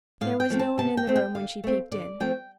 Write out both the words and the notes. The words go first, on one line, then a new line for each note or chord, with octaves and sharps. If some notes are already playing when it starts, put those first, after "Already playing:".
There was no one in the room when she peeped in.
A2 F5
G5
F3 A3 C4
A5
C3 A5
G5
A3 C4
G5
D3 F5
A3 C4
D3 D5
F3 A3 C4 G5